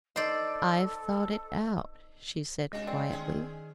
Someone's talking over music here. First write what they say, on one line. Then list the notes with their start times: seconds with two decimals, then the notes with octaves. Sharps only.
"I've thought it out," she said quietly.
0.16 D#4 A4 C5 D5
2.73 C3 G#3 D4 F#4 D#5
2.87 C4 D5
3.09 D#3 G#3 C#4 G#4